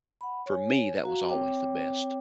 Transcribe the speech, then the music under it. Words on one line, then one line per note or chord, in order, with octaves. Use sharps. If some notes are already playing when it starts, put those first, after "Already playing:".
For me, that was always the best,
F#5 B5
C#5 G#5
F#4 F5 F#5 A#5
C4 C#5 G5 D6